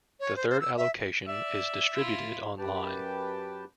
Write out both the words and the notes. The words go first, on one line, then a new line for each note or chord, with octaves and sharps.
The third allocation is distributed online.
C#5
C5
C5
E6
E5
D5 E5
E4 F4
F#2 G4 B4 G5 A5